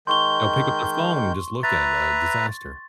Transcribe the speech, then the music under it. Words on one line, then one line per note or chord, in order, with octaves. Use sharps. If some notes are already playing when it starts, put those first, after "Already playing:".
They'll pick up their phone and just look at a disaster.
D#3 G#3 C6 C#6 G6 G7
B4 E5 A#5 A6